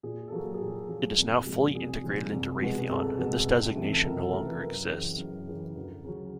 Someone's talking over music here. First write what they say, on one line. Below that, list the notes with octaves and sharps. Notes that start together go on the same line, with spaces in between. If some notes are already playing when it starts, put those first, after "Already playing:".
It is now fully integrated into Raytheon and this designation no longer exists.
A#2 G#4
A4
F#3 A#3 G#4
G#4
A#2 G4
F#3 A#3
C2
A#2 F3 G#3
C2 G#4
A#2 F3 G#3
C2
B2 G#3 B3
C2 A4
B2 G#3 B3
C#2
C3 E3 A3
A4
C#2 A#4
A4
C3 E3 A3 A#4
B4
F#2 A#4
C#3 E3
F#2
C#3 E3
D2
C#3 F#3